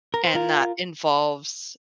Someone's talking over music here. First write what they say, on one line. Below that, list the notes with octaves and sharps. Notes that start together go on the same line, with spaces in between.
and that involves
A#4
C5
F4 A#4